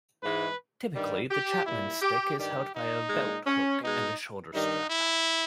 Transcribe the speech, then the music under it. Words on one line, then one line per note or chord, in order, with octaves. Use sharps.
Typically, the Chapman Stick is held via a belt-hook and a shoulder strap.
G#2 E3 G#3 B4
G2 D#3 G3
G4
A#2 G3 E4
G4
G2 D#3 G3 G4
D#4
A#2 G#3
C#4
B2 G#3 D#4
G2 D#3 G3 D#4
E4